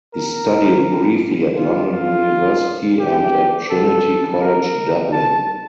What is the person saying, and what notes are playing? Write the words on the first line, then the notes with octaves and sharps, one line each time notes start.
He studied briefly at London University and at Trinity College Dublin.
A#4
F4
F4
G4
A4
A#4
A5